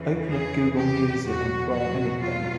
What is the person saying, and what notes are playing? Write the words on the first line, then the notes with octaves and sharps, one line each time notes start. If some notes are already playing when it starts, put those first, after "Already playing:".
Open up Google Music and play anything.
Already playing: E2 C#3 E3
G#4
G4
E2 B2 F#3 F#4
F#4
F4